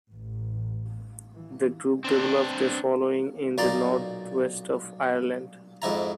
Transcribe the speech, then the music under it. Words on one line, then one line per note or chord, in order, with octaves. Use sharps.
The group developed a following in the North West of Ireland.
A1
E3
C4 D4
B1 A#2 D5 A#5 C6
F2 G#2 E4 A#5